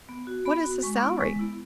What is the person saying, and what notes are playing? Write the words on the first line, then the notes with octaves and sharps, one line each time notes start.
"What is his salary?"
B3
F#4
B3 B5
F#4
G#3 C#6
B3 E4
G#3
B3 E4